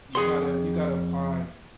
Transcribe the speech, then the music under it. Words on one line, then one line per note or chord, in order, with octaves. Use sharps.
You gotta you gotta apply,
F2 G#4 F#5 C6